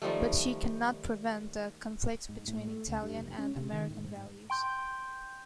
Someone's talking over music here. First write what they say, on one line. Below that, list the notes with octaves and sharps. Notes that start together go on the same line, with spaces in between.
But she cannot prevent the conflict between Italian and American values.
D#3 F3 G3 A3
G#2
A2
A3
C#2
G2
F1
C#4
C3
D#3
A2
G#2
G5 C6 G6